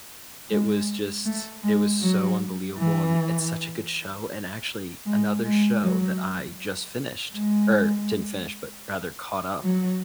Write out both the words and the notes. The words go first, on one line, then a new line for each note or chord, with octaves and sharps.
It was just it was so unbelievable, and it's such a good show and actually another show that I just finished, or didn't finish, but rather caught up,
G#3
A3
G#3
F#3
E3
G#3
G#3
F#3
G#3
F#3